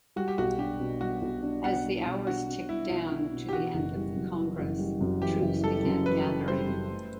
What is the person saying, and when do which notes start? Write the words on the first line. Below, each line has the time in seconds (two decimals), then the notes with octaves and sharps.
As the hours ticked down to the end of the Congress, troops began gathering.
0.16 G3 F#4
0.28 G4
0.38 B1 F#4
0.58 D4 G4
0.79 B2
1.01 G3 F#4
1.22 B1
1.43 D4
1.64 B2 F#5
1.84 G3
2.06 B1
2.27 D4 F#4
2.49 B2
2.69 G3 E4
2.90 B1
3.11 D4
3.32 B2
3.49 G4
3.53 E3 F#4
3.74 F#1
3.96 G3
4.16 F#2
4.38 E3
4.59 F#1
4.79 G3
5.01 F#2
5.22 E3 G4
5.42 F#1
5.63 G3 A4
5.85 F#2
6.06 E3 B4
6.27 F#1
6.48 G3 C5
6.69 F#2
6.90 A3